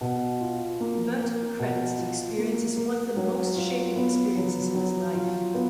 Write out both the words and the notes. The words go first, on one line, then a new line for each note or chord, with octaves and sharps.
Burton credits the experience as one of the most shaping experiences of his life.
B2
F4
A#3
A#4
B2
F4
A#3
A#4
F#3
F4
B3
F#3
F#3
F4
B3